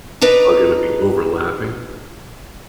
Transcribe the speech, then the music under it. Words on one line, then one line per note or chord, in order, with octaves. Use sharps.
are going to be overlapping.
D4 D#4 B4 A#5